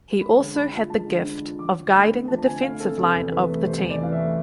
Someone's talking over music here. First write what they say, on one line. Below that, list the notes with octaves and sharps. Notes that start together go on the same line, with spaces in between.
He also had the gift of guiding the defensive line of the team.
G#3 B5
D3
D4 B5
F4
G#3 A5
D3
D4
F4
F3 D6
D3
A3 B5
C4
F3 A5
A5
D3 G#5
A3 F5
C4 A4
C3 A4
E2
E3 B4
A3
C3 C5
E2
D5
E3 F5
E5
A3